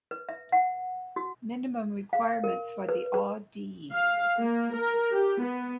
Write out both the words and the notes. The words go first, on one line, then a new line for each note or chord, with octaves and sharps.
Minimum requirements for the Au.D.
B4
E5
F#5
F#4
F5
A#4
B4
B4
F5
A#3
A#4
G4
B3